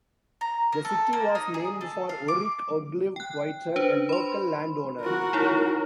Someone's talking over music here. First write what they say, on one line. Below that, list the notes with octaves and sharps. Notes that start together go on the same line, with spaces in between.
The city was named for Oric Ogilvie Whited, a local landowner.
A#5
A#4
A4
A#3
D#4
G#4
A4
F5
D6
G5 F#6
D4 B4 C5
B5 C6
F#4 A#4
D#4 E4 C#5